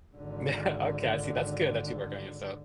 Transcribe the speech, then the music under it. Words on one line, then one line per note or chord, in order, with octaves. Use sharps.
Yeah, okay, I see, that's good that you work on yourself.
G#1 D3